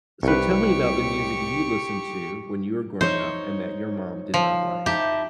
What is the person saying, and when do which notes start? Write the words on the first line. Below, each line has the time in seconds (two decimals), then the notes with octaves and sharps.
so, so tell me about the music you listened to when you were growing up and that your mom did not like.
0.23 C2 G4 B4 C#6
3.01 D#4 C5 C#5
4.34 F3
4.86 D#4 E4 G4 A5